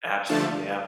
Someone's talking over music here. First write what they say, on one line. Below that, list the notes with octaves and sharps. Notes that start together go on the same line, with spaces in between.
Absolutely, yeah.
D3 F3 A3 A5